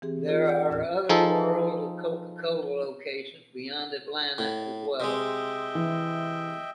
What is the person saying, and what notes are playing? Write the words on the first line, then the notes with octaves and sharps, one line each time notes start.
There are other World of Coca-Cola locations beyond Atlanta as well.
E3 C4 G4 G#4
E3 F4 G#4 C#5
D5 F#5 G5 G6
D#2 A2 C#4 A#4 F6
F3 D#4 G#4 A4
A2
C3 G#3 D#5 E5 G5
E3